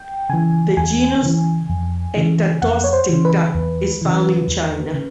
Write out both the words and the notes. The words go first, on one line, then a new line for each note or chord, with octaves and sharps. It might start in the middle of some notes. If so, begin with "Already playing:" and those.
The genus "Ectatosticta" is found in China.
Already playing: G5
C#3 E3 G#5
E2 G#5
C#3 E3
F2
C#3 E3
F2 F#5
C#5
C5
C#3 E3
B4
E2
C#3 E3
E2
C#3